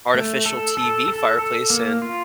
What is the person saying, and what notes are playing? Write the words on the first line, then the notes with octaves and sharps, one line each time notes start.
artificial, TV fireplace and
A3
A4
A4
A4
A4
A#3
F4